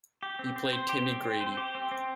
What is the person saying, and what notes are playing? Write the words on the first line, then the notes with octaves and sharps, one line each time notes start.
He played Timmy Grady.
G4
C4
C4
C5
G4
C4
C4
C5
G4
C4
C4